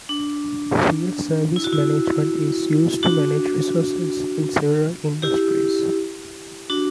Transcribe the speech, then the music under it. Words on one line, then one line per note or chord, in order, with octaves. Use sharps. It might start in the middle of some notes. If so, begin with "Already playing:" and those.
Field service management is used to manage resources in several industries.
D4
E4
F#4
E4
D4 F#4
E4 G4
D4 F#4